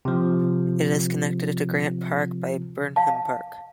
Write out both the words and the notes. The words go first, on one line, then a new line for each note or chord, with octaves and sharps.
It is connected to Grant Park by Burnham Park.
C3 F3
F5 A5